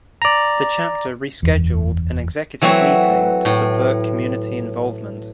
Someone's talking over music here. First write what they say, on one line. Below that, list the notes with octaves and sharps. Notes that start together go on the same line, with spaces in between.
The chapter rescheduled an executive meeting to subvert community involvement.
D5 A#5
F#1 E2
E3 F#3 A3 C4 F#4 B4
A2